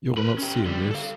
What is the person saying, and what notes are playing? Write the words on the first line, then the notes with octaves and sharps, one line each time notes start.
You're not serious.
A#4 B4
C#4 G4
D3 G3
A4 F5